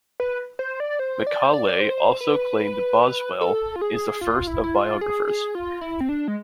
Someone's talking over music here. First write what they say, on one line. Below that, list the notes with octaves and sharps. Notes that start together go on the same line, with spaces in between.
Macaulay also claimed Boswell is the first of biographers.
B4
C5
D5
C5
D5
C5
D5
D5
C5
B4
A4
F4
G#4
F4
E4
E4
F4
G#4
G#4
F4
E4
C4
D4
G#3